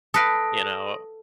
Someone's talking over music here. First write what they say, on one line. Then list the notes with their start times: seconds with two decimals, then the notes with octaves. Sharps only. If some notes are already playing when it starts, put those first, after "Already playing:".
you know?
0.14 A4 B4 F5 D#6 A#6 D7